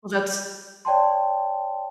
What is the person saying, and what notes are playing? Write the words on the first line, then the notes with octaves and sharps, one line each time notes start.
Well that's
C#5 D5 G5 A5 C6